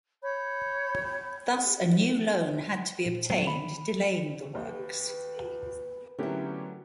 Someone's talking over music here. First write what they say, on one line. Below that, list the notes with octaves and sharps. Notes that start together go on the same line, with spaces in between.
Thus, a new loan had to be obtained delaying the works.
C#5 B5 G6
A#2
F#3 B3 C4
D#3 B5
D#2 B4
D3 F#3 A3 B3 C#4 E4 G4 A#4